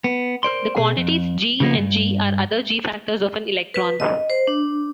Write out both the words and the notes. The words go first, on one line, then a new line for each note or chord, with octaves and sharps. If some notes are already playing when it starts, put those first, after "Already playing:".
The quantities "g" and "g" are other "g"-factors of an electron.
B3
A#4 C5 D5 C6
B2 G#4
F2
C#3 F3 G#3 A#3 B3
C#2 G2
B4
D#5
C5
D4